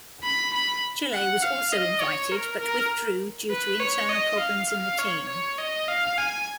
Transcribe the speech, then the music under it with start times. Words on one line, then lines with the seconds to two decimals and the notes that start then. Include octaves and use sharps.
Chile was also invited but withdrew due to internal problems in the team.
0.23 B5
0.53 B5
1.13 F#5
1.42 F5
1.72 D#5
2.01 C#5
2.31 A#4
2.60 A#4
3.51 B4
3.80 C#5
4.09 D#5
4.39 F5
4.69 F5
4.98 C#5
5.28 C#5
5.58 D#5
5.88 F5
6.18 G#5